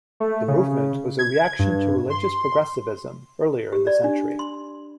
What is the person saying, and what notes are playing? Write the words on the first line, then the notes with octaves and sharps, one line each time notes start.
The movement was a reaction to religious progressivism earlier in the century.
A3
C#3
G#6
G2
C6
G4
D5
D4
C6